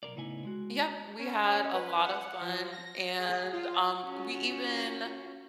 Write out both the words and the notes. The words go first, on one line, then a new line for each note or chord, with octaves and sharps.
Yep, we had a lot of fun and, um, we even
B1 F2 A#4 D5
A2 C#3 B3 D#4 E4 G#5
G#3 F#4
C#4
B4
F#5
F3
A#6
G#4
F4
C#4 F4 F#4